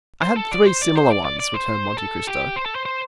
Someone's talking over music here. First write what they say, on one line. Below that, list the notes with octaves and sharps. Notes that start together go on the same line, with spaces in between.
"I had three similar ones," returned Monte Cristo.
C5
A4
D5
C5
D5
C5
D5
D5
D5
C5
A4
G4
C5
A4
C5
C5